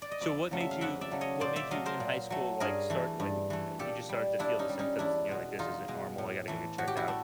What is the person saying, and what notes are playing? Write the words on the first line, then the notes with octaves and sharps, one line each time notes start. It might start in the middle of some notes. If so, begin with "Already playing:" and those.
So, what made you eh, what made you in high school, like, start, like, w the a you just started to feel the symptoms, and you're, like, "This isn't normal. I gotta go get checked out?"
D5
D#5
F2 D5 E5
C#3 F#3 A3
E5
F5
F2 E5 F#5
D5 E5
C#3 F#3 A3
C#5 D#5
A#2 C5 D5
D5 E5
F#3 A3 D#5 F5
A#4 C5
A#2
F#3 A3
G2 G#4 A#4
E3 A3
G2
E3 A3
A#2 G4 A4
G3
A#2 D4 E4
C#4 D#4
G3
C#4 D#4
E2 D4 E4
B2 G#3
E2 D#4 F4
B2 G#3
A2
E3 A3
A2 F#4
G4
E4 F#4
A3